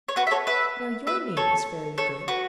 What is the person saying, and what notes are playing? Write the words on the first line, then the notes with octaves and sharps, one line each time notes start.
Now, your name is fairly good.
C#5
F#4 B4
E5
A4 C#5
B4 E5
B4 E5
A4 C#5
A4 C#5
F#4 B4